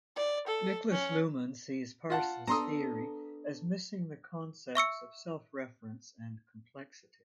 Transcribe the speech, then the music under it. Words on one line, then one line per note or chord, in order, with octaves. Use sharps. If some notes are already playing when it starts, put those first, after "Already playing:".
Niklas Luhmann sees Parsons' theory as missing the concepts of self-reference and complexity.
D5
A4
C#4
F4 F#5 A5
B3 D4 A4 A#5 C6 D#6
E5 C#6 E6 C#7